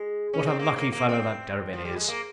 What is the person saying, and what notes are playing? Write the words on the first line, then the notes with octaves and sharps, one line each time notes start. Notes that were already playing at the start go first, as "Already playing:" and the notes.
What a lucky fellow that Derebin is!
Already playing: G#3
C#4
C4
A#3
A#3
A#3
C4
F3
G3
G#3
A#3